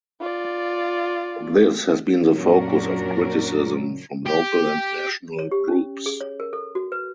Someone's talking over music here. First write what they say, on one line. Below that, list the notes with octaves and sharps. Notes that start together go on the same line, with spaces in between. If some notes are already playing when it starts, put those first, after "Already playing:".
This has been the focus of criticism from local and national groups.
F4 D5
F#2 A#2 C#4 D4 F#4 A#4
G4
C#5
G4
C#4
G#4
C#5
A#4
A4
F#4
B4